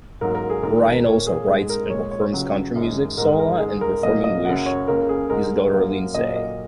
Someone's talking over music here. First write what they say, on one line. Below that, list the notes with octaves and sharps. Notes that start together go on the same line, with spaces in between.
Ryan also writes and performs country music solo and performing with his daughter Lynsay.
G#2 F#3 A#3 A#4
A#4
G#4
D#2 D#3 G#3 A#4
A#4
A#2 A#3 C#5
G#4
G#2 G#3 G#4
A#4
A#2 G#3 C#5
C#5
C#2 C#3 F#3
F#2 D#3 G#3
G#2 D#3 G#3 A#4
A#4
G#2 G#3 G#4
A#4
A#2 F#3 A#3 D#5
D#5
F#2 C#3 F#3 A#3 F#5
C#5
C#2 C#3 A#3 A#4
G#4
G#2 G#3 A#4
F#2 F#3 A#3
A#2 F#3 A#3 D#5
D#5